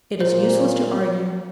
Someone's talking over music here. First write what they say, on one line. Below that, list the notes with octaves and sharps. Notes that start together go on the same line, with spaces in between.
'It is useless to argue.
A#2 C5